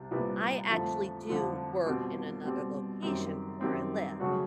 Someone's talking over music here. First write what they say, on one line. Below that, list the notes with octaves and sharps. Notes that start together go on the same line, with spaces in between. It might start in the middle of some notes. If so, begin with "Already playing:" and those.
I actually do work in another location from where I live,
Already playing: C2 G3
C2 A#2 G3 B3 E4
F2 D3 F3 A3
F2 D3 F3 A3
B2 G3 C4
B2 G3 C4
F#2 D#3 G3 C4
F#2 D#3 G3 C4
C#3 F#3 A3 C#4 F#4